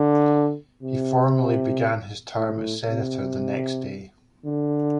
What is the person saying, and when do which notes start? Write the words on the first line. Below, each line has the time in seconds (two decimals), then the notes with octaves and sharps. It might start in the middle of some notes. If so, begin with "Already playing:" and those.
He formally began his term as Senator the next day.
Already playing: D3
0.83 C3
2.38 A2
2.89 C3
4.45 D3